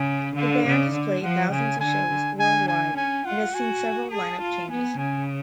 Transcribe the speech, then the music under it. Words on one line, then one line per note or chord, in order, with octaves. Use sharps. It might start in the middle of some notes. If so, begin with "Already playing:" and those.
The band has played thousands of shows worldwide and has seen several lineup changes.
Already playing: C#3 G#5
D3 F5
C#3 D5
D3
F3 F#5
C#3 G#5
D3 G#5
D3
D3 G#5
G#5
C#4 G#5
F4 F#5
F#4 G#5
G#4 A5
F4
B3 G#5
C#3 G#5